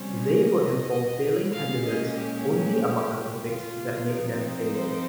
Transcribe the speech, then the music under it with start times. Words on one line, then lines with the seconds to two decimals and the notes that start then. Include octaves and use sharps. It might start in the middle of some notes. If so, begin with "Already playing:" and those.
They will inform failing candidates only about the topics that made them fail.
Already playing: C3 G3 C#4 C5
0.23 D#5
1.52 A#2 G#3 C#4 F5
1.85 D#5
2.16 G4
3.46 F4
4.11 F3 C4 D#4
4.76 C5